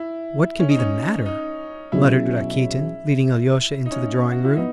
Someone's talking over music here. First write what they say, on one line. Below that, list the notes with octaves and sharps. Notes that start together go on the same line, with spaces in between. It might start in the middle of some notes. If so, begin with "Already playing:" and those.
"What can be the matter?" muttered Rakitin, leading Alyosha into the drawing-room.
Already playing: E4
C#4
D#4
C#4
D#4
B2 F#3 C#4 E4 G#4 C#5
D#4
C#4
F#4
E4
B3 D#4